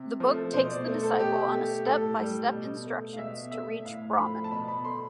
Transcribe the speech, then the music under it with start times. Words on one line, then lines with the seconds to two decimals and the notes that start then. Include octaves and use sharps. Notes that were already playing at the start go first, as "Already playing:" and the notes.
The book takes the disciple on a step by step instructions to reach Brahman.
Already playing: C3
0.20 F3 A3
0.53 B2 C5
0.70 D5
0.86 A3 C5
1.03 A4
1.20 B2 G4
1.53 A3
1.86 A2 A4
2.19 G3
2.53 B2
2.85 A3
3.13 F5
3.19 B2 E5
3.51 A3 E5
3.85 A2 F5
4.18 F3 A3 B5
4.44 A5
4.52 B2 B5
4.68 B5
4.84 A3 C6